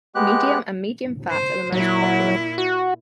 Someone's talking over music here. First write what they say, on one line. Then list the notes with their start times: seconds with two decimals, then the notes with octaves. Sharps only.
Medium and medium-fat are the most popular.
0.15 G#3 B3 G4 F#6
1.31 C5
1.72 A#2 F#3 E4
2.58 F#4